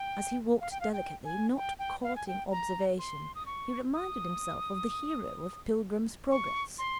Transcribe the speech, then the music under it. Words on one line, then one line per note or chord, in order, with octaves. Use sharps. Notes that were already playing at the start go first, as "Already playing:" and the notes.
As he walked delicately, not courting observation, he reminded himself of the hero of 'Pilgrim's Progress'.
Already playing: G5
F5
G5
F5
G5
G#5
G5
G5
F5
G#5
G5
A#5
C6
D#6
C#6
D#6
C#6
C6